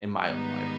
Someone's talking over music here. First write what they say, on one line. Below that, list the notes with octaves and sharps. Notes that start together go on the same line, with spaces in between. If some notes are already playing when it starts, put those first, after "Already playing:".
in my own life.
G#2 D#3 G3 B3 D#4